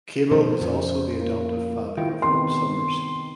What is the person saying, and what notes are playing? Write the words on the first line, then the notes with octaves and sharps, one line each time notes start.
Cable is also the adoptive father of Hope Summers.
B2 F3 A3 C5
F2 F3 C#4
A#3
D#3 E4 F4 G5
C3 D#3 B3 C6